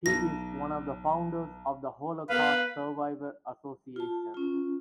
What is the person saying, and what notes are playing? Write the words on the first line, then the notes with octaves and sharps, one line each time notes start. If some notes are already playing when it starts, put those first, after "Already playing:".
He is one of the founders of the Holocaust Survivor Association.
B1 A#6
B3 A#4 B4 F5
F4 A5
C#4 F4